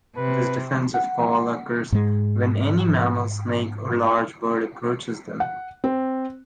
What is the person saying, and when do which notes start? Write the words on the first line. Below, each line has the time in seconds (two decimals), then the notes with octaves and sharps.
This defensive call occurs when any mammal, snake, or large bird approaches them.
0.17 C3 B4
0.94 F#5
1.92 G#2 G#3
5.40 F#5
5.84 C4